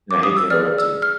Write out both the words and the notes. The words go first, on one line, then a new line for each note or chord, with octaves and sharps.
and I hate to interrupt you.
D6
D#6
E6
G#4 B4 D5 F6
E6
F6